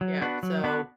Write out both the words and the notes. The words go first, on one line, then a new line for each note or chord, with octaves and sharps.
Yep, so,
F#3
B3 D4 F#4 B4
F#3
B3 D4 F#4 B4